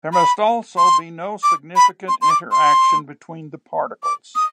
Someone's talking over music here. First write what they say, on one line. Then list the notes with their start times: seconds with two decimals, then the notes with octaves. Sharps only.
There must also be no significant interaction between the particles.
0.13 B5
0.77 C6
1.43 D6
1.76 B5
2.08 C6
2.22 C6
2.30 D6
2.52 C6
4.03 D6
4.36 D#6